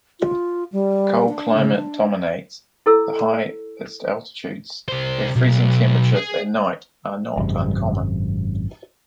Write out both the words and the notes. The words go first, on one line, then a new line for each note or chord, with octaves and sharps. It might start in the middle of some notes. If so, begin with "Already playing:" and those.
Cold climates dominate the highest altitudes where freezing temperatures at night are not uncommon.
F4
G3
D4
C#3
D4
E4 A4 E6
C2 C5
B1
G#4
G#1 F#2 C3 G#3